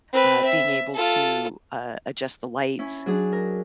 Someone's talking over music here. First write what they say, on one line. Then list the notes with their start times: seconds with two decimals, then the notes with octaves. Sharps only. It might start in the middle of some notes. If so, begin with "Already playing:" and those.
uh, being able to, uh, adjust the lights
0.13 C4 B4
0.45 E5
0.94 F4 A4
2.79 C#4 E4
3.06 F#3 D4 G#4
3.33 A#4